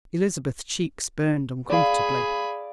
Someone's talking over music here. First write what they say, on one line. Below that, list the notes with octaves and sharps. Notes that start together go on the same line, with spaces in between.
Elizabeth's cheeks burned uncomfortably.
G#4 D5 F5 B5